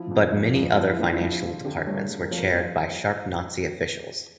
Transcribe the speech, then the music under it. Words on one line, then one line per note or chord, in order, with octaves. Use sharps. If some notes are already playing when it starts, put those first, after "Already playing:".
But many other financial departments were chaired by sharp Nazi officials.
Already playing: F3 E4
F2
F2
F2
F3 F4
E4
F3 D4
E4
F3
F3
D3 G4
G2 C#5
A#4
G2
A#4
F3 C#5
A#4
F3 A4